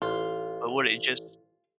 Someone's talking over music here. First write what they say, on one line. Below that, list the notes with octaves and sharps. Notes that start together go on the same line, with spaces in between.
but would it just
A1 F4